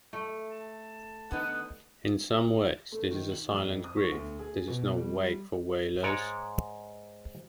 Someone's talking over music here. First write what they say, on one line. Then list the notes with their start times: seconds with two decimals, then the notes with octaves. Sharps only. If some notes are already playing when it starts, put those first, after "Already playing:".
In some ways this is a silent grief, this is no wake for wailers.
0.13 A3
0.49 A5
1.31 D3 B3 D#4 F#5
2.92 A3
3.11 D#3
3.32 F#7
3.52 F2
3.84 D#6
3.97 C#6
4.12 D2
4.39 G#4
4.68 B2
4.96 G3
6.03 G#2 G#3 C#5 D5